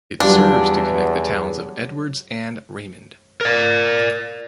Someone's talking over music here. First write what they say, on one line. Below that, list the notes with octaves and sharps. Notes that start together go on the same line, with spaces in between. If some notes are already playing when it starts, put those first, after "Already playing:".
It serves to connect the towns of Edwards and Raymond.
E2 F#3 G3 D4 F4
A#4 D5